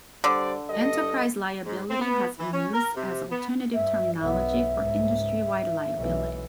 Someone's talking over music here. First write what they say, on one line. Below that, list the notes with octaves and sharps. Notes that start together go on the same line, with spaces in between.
Enterprise Liability has been used as alternative terminology for Industry-Wide Liability.
D3 G3 C5 D5
G2 A4 D#5
G#2
C4
B3
E3
C#4
A#4
C3
B3
G2 E5
B1 B3 E5
C#2 G#2
B1 E3